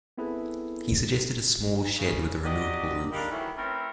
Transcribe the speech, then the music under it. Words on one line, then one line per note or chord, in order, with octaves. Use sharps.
He suggested a small shed with a removable roof.
B3 C4 E4 G#4 A4 B4
C#3
F#3 G4 D5 D#5
D3 G3 G#3 A#3 D4 D#4
D#3 E3 F#3 A3 E4
A3 C4 C#4 E4 A#4 B4